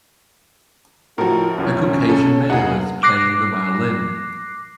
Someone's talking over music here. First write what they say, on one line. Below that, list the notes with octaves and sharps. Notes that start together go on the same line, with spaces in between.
A Caucasian male is playing the violin.
A2 F3 D#4 E4 F#4 A#4
C2 F#2 C#4
A4
E1 F#2 A#3 B3 D#4 G#4 F#5
D6 F#6 A#6 C7